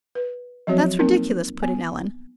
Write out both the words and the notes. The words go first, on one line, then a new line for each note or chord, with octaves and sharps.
"That's ridiculous!" put in Ellen.
B4
F3 F#3 C4 F#4 C#5
A#3 C4 D#4 A#4
B3